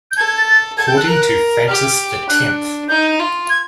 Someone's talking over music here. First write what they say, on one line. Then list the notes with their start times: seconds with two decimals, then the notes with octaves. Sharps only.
According to Francis the Tenth.
0.11 G6
0.17 A4 G#6
0.28 G#6
0.37 A6
0.48 A6
0.78 A4 G#6
0.87 G6
0.97 F#6
1.08 A#4
1.68 G4 F6
2.29 D4 F#6
2.89 D#4 G6
3.20 F4
3.50 G#6